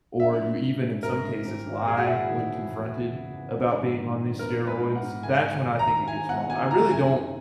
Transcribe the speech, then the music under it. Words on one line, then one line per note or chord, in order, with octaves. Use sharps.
or you even, in some cases, lie when confronted about being on these steroids, that's when I think it gets wrong, I really don't
A#1 E5
A#1
G#2
G#3
G#1 A#4
G#1
G#1
G#1
G#3 G#4
F#4
E1 E4
F#4
D#3
D#2
E2
E2
C#3
E2
A#1
G#2
D#3
A#1
B3 A#4
G#2
B4
G#2
F#5
G#2
D#3 G#5
D#2
G#5
D#2
A#5
D#3
E4 G#5
B2 F#5
A#3 G#5
E4 A#5
F#2 G#5
D#4